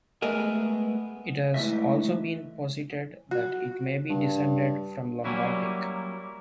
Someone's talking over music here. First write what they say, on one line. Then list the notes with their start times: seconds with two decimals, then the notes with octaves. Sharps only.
It has also been posited that it may be descended from Lombardic.
0.22 G#3 A3 B3 G#4 A#4 D#5
1.54 G#2 E3 A3 D#5 E5
3.31 F#4
4.10 G2
5.24 F#3 G3 A#3 C#4 E4 F#4